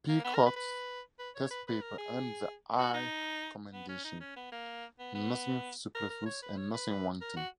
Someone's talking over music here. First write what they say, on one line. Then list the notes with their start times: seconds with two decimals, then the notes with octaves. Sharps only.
Peacock's test papers earned the high commendation, Nothing superfluous and nothing wanting.
0.09 A#3
0.25 B3
0.35 A#4
0.46 B4
0.56 B4
1.19 B4
1.36 C#5
1.51 B4
1.68 B4
1.82 A#4
1.98 G#4
2.78 F#4
2.94 D#4
3.73 B3
3.89 C#4
4.04 D#4
4.21 C#4
4.36 B3
4.52 A#3
4.99 B3
5.15 B3
5.95 A#4
6.10 A#4
6.26 C#5
6.42 B4
6.57 C#5
6.74 B4
7.22 A#4
7.37 F#4